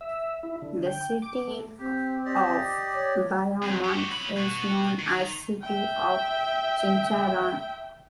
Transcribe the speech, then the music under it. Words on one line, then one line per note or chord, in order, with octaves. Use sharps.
The city of Bayamon is known as "City of Chicharron".
E5
E4
D3
G5
D6
A3
C4 G4
G4 D5 D#5
C#5
F2
F#4 G4
F#3 B5
B2 F#4
D#3
E5 G5